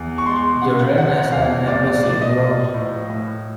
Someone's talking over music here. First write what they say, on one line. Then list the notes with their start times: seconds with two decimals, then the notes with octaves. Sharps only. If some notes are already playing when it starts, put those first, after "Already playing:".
Jordan has an embassy in Rome.
Already playing: E2
0.18 C#6
0.26 G#3 C6
0.61 C#3 F#5
0.97 F3 F#5
1.32 E2 F5
1.68 A2 D5
1.85 D5
2.03 F3 D5
2.21 D#5
2.38 A#3
2.74 A2
3.10 A2